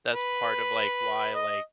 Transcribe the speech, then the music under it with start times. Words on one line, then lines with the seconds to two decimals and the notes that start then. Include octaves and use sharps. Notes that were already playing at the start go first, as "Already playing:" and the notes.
That's part of, like, why, like,
0.13 B4
1.34 D#5